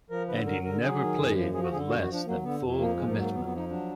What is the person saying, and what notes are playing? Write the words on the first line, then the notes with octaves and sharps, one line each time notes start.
And he never played with less than full commitment.
F3 A#4
D3 B4
F#3 A#4
D3 A#4
F#3 G#4
D#3
F#2
F3
F3 G#4
F#4
D3 G#4
F#2 F#4
F#4
F3
D4
F#3 A#3
D3 B3
F2
F3 A#3
G#2 G#3
A#3
F#3
A#3
F2 B3
B3
F3
D#4
F#3 D4